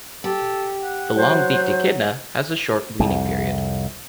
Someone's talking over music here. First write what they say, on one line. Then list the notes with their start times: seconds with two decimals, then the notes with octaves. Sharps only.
The long-beaked echidna has a short weaning period.
0.24 G4 A4
0.82 F#5
1.16 F#3 C5
3.00 C2 F2